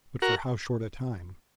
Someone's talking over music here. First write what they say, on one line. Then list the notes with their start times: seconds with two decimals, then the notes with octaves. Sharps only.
But for how short a time!
0.22 F#4 A#4